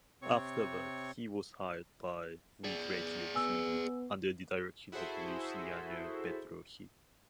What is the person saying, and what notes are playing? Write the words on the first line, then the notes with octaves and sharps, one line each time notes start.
Afterward, he was hired by “Week Radio TV”, under the direction of Luciano Pedrocchi.
C3 C4 C#5 C#6
G#4 D5
B3 G#5 E6
E4 F#4 G#4 A4 C5 E5